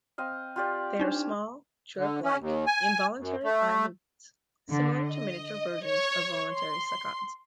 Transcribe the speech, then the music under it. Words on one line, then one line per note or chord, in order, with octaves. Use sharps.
They are small, jerk-like, involuntary eye movements, similar to miniature versions of voluntary saccades.
C4 D#5 F5
F4 G4 D5
D4 D#4
D3
C#4
D#2
G#5
F#2
A3
D3
D#5
C#5
C6